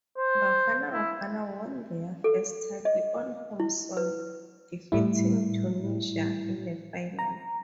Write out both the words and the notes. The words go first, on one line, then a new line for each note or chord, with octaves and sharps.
"Bafana Bafana" won their first title on home soil, defeating Tunisia in the final.
C5
E4
A4
D#5
E4
B4
A2 G3 E4
A#5